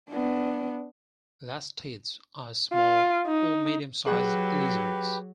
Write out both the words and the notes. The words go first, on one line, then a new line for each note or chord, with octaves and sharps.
Lacertids are small or medium-sized lizards.
B3 D4
F4
D#4
F#3 G4 G#4 B4 F#5 F#6